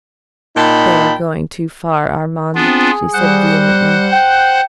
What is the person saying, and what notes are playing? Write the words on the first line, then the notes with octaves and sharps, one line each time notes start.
"They are going too far, Armand," she said vehemently.
A#2 D#4 G5 A5 B5
B3 C4 D4 F4 G#4
G3 C5 F#5 F#6
G5